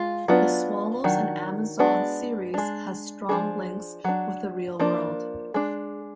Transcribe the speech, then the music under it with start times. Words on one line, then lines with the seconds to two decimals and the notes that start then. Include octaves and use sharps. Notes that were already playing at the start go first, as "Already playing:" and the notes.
The "Swallows and Amazons" series has strong links with the real world.
Already playing: G#3 F4
0.28 F#3 B3 D4 F4
1.04 D#3 F#3 D4
1.79 G#3 B3 D4 F#4
2.54 G#3 D4
3.29 F3 G#3 D4 G#4
4.04 F#3 D4
4.80 F3 A#3 D4
5.54 G#3 D4